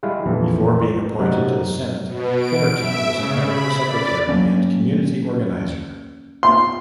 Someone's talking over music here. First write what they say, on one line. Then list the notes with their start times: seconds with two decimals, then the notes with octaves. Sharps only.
Before being appointed to the Senate, Finnerty was a medical secretary and community organizer.
0.03 G3 G#3 E4 F5
0.26 A#1 F2 E3
1.19 F#2 C3 D#4 D5 F#5
2.07 B2
2.37 D7
2.79 E5
3.13 C#3
3.44 B5
3.85 D5
4.29 F#3 A#3 C#4
6.43 C6